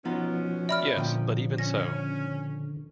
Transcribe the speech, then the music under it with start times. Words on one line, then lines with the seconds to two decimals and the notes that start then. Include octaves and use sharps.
Yes, but even so.
0.05 B2 F3 B3 C#4 D#4 F4
0.69 D5 E5 B5 F6
0.97 A#2 D3 F3 G5
1.58 C#4 A#6